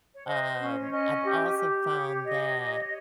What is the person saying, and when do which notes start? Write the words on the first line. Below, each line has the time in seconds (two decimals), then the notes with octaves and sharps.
um, I've also found that
0.14 C#5
0.26 C5 D#5
0.59 C#4
0.80 C#5
0.91 C#4 D#5
1.25 G4
1.59 G4
1.92 C#5
2.25 G4 D#5
2.58 C#5